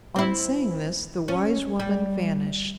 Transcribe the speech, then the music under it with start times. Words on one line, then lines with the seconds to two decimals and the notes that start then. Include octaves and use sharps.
On saying this the wise woman vanished.
0.16 C4 E4
1.28 C#4
1.80 G3